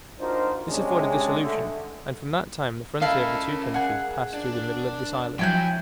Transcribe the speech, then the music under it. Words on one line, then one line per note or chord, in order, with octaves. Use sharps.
This afforded the solution, and from that time the frontier of the two countries passed through the middle of this island.
D4 D#4 F4 F#4 A#4 C5
C3 G#3 C#4 D4
D3 A3
C#4 E4 A4 A#4 D#5 F5
G#4 F#5
D4
F3 F#3 E4 G5 G#5 G6